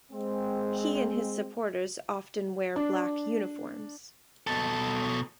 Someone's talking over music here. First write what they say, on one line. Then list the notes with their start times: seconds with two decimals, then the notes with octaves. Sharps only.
He and his supporters often wear black uniforms.
0.11 G#3 C4
2.76 D4
4.47 B2 A4